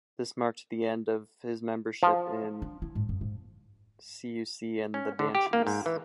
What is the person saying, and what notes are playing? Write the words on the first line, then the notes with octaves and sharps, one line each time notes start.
This marked the end of his membership in Siouxsie and the Banshees.
F3
D4
E4
G#2
F#2
G#2
C#4
D3
G4
A#3
G#2
E3